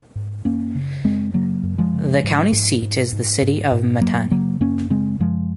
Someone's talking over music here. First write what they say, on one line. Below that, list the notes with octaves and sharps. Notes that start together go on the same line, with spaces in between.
The county seat is the city of Matane.
G#2
F#2 A#3 C#4
C#3
F#2 G#3 C4
C#3 F#3 A#3
F#2
F3 G#3
C#3
G#2
G#2
G#2
G#2
G#2
G#2
F#2 F#3 A#3
C#3 F#3 A#3
F#2 A#3 C#4
C#3 G#3 C4
F#2 F3 G#3